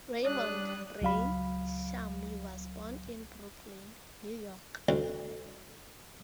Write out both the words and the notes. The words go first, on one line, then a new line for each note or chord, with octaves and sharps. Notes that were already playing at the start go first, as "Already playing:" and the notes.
Raymond "Ray" Shamie was born in Brooklyn, New York.
G3 D4 C#5 D#6 F#6
C#2 F#3 F5 B5
D2